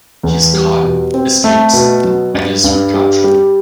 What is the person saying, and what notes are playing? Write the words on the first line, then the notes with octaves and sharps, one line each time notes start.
He is caught, escapes, and is recaptured.
E2
G3
B2
C4
A3
B2
F#3
G2
G2
G3
G3